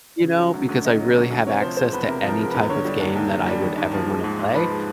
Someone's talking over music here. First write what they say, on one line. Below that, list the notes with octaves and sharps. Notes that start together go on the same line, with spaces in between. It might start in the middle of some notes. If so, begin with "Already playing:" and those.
you know, because I really have access to any type of game that I would ever wanna play,
C#3
F#3
D2
D2
C#3 D#5
F#3
D2
D2
C3 C#5
F3 C5
G#3 C5
E2 B4
C3 A#4
F3
A#4
G#3 A#4
B4
E2
D3 C#5
G3
D#2
D#2
D3
G3
D#2
D#2
F3
G#3
G#2
G#2
F3 B4
G#3